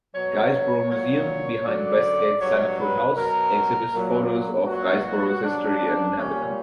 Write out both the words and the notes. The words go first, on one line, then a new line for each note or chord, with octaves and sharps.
Guisborough Museum, behind Westgate's Sunnyfield House, exhibits photos of Guisborough's history and inhabitants.
B2 F#3 C#5
A#2 F#3 C#5
F#2 D3 F#3 D5
G2 F#3 C#5
B4
B2 F#3 A#4
A#2 F#3
A#2 F#3 F#4
G2 F#3 D4
A#2 G3 C#4